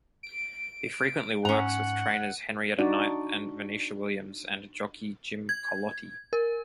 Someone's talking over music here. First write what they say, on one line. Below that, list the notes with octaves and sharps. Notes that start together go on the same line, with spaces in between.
He frequently works with trainers Henrietta Knight and Venetia Williams and jockey Jim Culloty.
D7
G#2 C#4 F#5 A#5
D4 D#4 F#4 D5
G#6
A#4